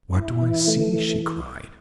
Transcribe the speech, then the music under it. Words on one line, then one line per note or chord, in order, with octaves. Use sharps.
"What do I see?" she cried.
E4
E3
A3
E3